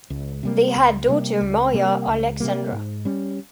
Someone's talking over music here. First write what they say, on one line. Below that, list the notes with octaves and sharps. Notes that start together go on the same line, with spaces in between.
They had daughter Maria-Alexandra.
C#2
C3 G3 A#3
C#2
C3 G3 A#3
C#2
C3 G3 A#3
C#2
C3 G3 A#3
G#2
G3 C#4